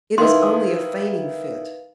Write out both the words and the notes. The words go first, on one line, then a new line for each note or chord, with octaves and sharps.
"It is only a fainting fit."
D#3 E4 B4 F5 C6